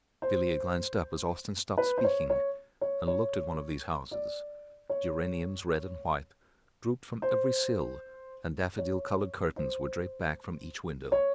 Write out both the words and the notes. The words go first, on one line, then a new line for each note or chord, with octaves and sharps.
Villiers glanced up as Austin stopped speaking, and looked at one of these houses; geraniums, red and white, drooped from every sill, and daffodil-coloured curtains were draped back from each window.
C5
B4
C5
C#5
C#5
C#5
C#5
D5
C#5
C5
C#5
C5
C#5